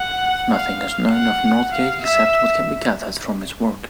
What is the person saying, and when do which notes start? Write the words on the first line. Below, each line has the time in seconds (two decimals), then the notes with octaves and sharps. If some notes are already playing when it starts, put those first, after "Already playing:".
Nothing is known of Northgate except what can be gathered from his work.
Already playing: F#5
0.53 F5
1.13 F#5
1.72 F5
2.02 E5